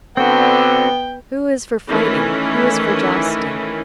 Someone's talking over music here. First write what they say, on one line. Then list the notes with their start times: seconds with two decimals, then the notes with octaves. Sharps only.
Who is for fighting, who is for jousting?
0.17 D3 B3 C4 F#4 G5
1.90 D#3 E3 A3 C#4 E4